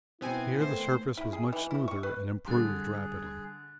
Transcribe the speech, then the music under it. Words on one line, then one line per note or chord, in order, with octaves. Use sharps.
Here the surface was much smoother and improved rapidly.
B2 B3 C4 E4 G#5
D#3 A3 C5
E4
G#4
E3
E4
C#6
B4
D3 G3 G#4 F#6 A6